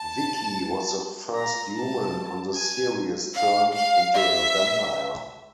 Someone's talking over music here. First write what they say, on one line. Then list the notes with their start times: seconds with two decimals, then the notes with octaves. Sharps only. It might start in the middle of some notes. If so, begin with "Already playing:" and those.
Vicki was the first human on the series turned into a vampire.
Already playing: A5
1.34 A#5
1.74 A5
2.55 G#5
3.34 F5
3.73 F5
4.13 E5